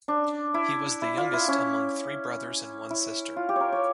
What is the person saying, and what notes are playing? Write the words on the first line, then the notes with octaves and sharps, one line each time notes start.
He was the youngest among three brothers and one sister.
D4
E4
E4
F4
E4
C#4
E4
F4
G4
A#4 C#5
C#5